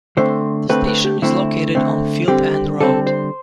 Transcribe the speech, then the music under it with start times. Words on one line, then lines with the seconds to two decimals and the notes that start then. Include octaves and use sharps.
The station is located on Field End Road.
0.17 D3 A3 C4 C5
0.69 D3 A3 C4 B4
0.87 B4
1.05 G4
1.22 D3 A3 C4 E4
1.75 D3 A3 C4
2.28 D3 G3 C4 G4
2.80 D3 G3 C4 A4
3.07 C5